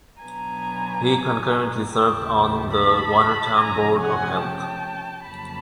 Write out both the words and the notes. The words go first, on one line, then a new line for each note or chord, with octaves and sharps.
He concurrently served on the Watertown board of health.
B2 F#3 B3 D4 G#5 A#5
D#2 C#3 E3 A3 G5 A5
A5 B5
C3 F3 A3 C#4 G#5 A#5
F#5 G#5
G5 A5
F2 C#3 F#3 A#3 A5 B5